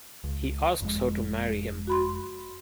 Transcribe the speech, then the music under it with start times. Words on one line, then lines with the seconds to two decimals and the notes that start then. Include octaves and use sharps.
He asks her to marry him.
0.24 C#2
0.80 F#1 F2 G#3
1.87 F#4 B5 C6